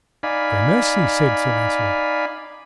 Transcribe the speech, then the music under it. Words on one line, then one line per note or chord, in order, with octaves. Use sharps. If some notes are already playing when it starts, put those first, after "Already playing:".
Gramercy, said Sir Launcelot.
D#4 D5 F5 G#5 B5